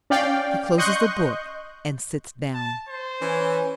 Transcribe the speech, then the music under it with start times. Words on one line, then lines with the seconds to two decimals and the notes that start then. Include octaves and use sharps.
He closes the Book and sits down.
0.10 C#4 D5 F5 G5
0.78 D#5 C6 C#6 F#6 G6
2.54 A5
2.89 C5
3.21 E3 C#4 B4